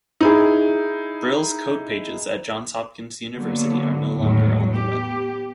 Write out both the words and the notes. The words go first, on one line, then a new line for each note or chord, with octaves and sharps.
Brill's code pages at Johns Hopkins University are no longer on the web.
D#4 E4 G#4
D3 F#3 A#3 B3
E2 A2 D#3 F#3 G#3
B3 G4